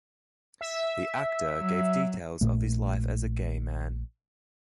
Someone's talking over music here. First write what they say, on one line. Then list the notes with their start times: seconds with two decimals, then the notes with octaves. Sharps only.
The actor gave details of his life as a gay man.
0.61 E5
1.59 F#3
2.41 A#1 F#2 A#2 A3